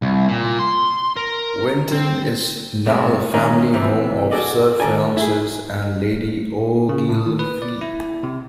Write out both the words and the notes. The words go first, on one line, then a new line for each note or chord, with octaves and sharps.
Winton is now the family home of Sir Francis and Lady Ogilvy.
C2
A#2
C6
A#4
C4
A2 C3 F3 G3 G#3
D#3 G3 A#3 C#4 D#4
E2 C3 E3
F#4 G#4 A4 D5 D#5
D#3 A4 A#4 D5 G#5
E4 G#4
C#3
A2
D#3
B4
D5
E4
C3